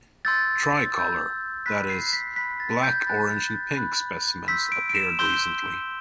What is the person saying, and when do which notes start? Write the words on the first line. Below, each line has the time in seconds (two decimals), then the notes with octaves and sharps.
Tri-colour, that is, black, orange and pink specimens appeared recently.
0.25 C6 E6 G6 A6
0.95 C6 E6 G6
1.66 B5 F#6 B6
1.90 C7
2.13 B6
2.36 B5 F#6 B6
2.60 A6
2.83 G6
3.07 B5 F#6 A6
3.77 B5 F#6
4.48 C6 E6 G6 B6
4.72 D7
4.90 D7
4.95 E7
5.19 C6 E6 G6 G7